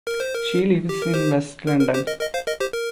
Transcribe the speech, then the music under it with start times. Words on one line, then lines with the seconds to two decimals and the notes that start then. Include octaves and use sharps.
She lives in west London.
0.07 A#4
0.20 C5
0.34 A#4
0.89 G4
1.02 A#4
1.14 G4 C5
1.67 A#4
1.80 A#4
1.94 G4 C5
2.07 A#4 D#5
2.20 A#4 D#5
2.34 C5 F5
2.47 A#4 D#5
2.60 G4 C5
2.73 A#4